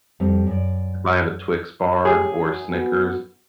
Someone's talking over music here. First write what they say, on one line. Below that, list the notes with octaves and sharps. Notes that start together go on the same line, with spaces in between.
if I have a Twix bar or Snickers
F2 G3 C4
F#2 D5
C#3 C#4 G4 G#4
F#2
B3 F#4